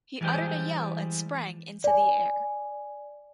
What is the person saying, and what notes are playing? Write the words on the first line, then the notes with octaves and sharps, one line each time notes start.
He uttered a yell and sprang into the air.
E3 G3 G#3 G4 C5
D5 G#5